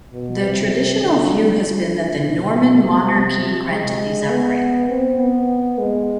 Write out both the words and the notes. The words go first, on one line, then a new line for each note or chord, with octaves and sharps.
The traditional view has been that the Norman monarchy granted these outright.
B2
C3
D3
D3
B2
C3
C3
G#3
B3
C4
B3
G#3